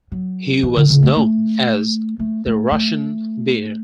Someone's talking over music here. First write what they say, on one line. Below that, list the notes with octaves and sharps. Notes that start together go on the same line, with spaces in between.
He was known as "The Russian Bear".
F#3
E3
D3
C#3
A3
A3
A3
A3
A3